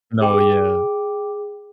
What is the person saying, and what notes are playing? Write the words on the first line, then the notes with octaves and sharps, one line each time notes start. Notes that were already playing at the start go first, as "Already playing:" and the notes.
No. Yeah.
G#4 G5 D6